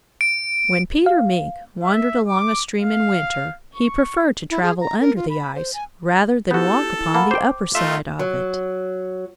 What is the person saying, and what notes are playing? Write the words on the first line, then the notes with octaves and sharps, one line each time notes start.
When Peter Mink wandered along a stream in winter he preferred to travel under the ice, rather than walk upon the upper side of it.
D7
F5
E5
D6
F5
C#6
E4
G#4
A#5
A#4
F4
B5
C5
G#5
B3 E4 F#4 G4 A4 G6
E4
A#3 F#5 A5 B5
C5 G5 D6
A3 D#4 F4 E5
F#3